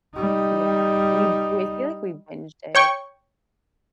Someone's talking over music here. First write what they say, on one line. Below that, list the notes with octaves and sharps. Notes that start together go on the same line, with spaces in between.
Yeah, we we feel like we binged it.
G3 D#4
C#5 G5 C#6